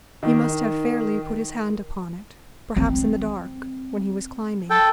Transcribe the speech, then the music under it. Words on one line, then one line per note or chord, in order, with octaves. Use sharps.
He must have fairly put his hand upon it, perhaps in the dark, when he was climbing.
D#3
C4
A4 G5